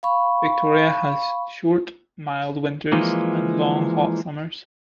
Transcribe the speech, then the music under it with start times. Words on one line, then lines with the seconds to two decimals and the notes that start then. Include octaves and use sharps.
Victoria has short mild winters and long hot summers.
0.03 F5 B5 C#6
2.92 E3 F3 G#3 A#3